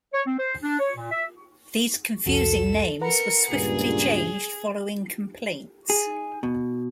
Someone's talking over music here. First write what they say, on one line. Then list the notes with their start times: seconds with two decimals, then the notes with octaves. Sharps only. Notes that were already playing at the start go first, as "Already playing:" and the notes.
These confusing names were swiftly changed following complaints.
0.14 C#5
0.27 C4
0.39 C5
0.63 D4
0.80 C#5
0.97 A#2
1.12 E5
2.26 C2 F2 F#4 A4 E7
3.01 A#4 B4 F#5 A#5 C#7
3.51 C#2 G2 A#2 G#4
5.90 G#4
6.43 B2